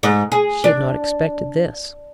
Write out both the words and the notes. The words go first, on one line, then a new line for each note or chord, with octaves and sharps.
She had not expected this.
G#2
G#4
D4